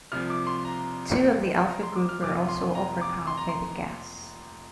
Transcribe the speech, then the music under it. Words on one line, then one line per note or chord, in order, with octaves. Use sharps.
Two of the Alpha Group were also overcome by the gas.
C2 C3 F3 F6
D6
C6
A#5
G5
A#5
C6
D6
F6
F1 F2 C3 F3 D6
C6
A#5
D6
C6
A#5
C6